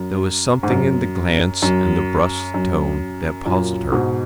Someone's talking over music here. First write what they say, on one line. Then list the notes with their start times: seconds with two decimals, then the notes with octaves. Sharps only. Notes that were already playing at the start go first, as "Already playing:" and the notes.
There was something in the glance and the brusque tone that puzzled her.
Already playing: F#2
0.63 G#2
0.70 F#2
1.62 F#2
2.54 F#2
3.46 F#2 A#2
3.92 G#2 B2